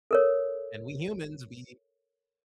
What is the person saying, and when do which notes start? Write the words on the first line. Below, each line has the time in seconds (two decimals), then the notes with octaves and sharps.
And we humans, we
0.11 A4 A#4 C#5